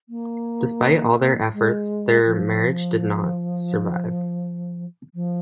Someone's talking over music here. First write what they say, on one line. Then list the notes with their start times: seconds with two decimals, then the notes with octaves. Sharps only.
Despite all their efforts, their marriage did not survive.
0.08 A#3
1.53 G#3
2.25 F3
5.14 F3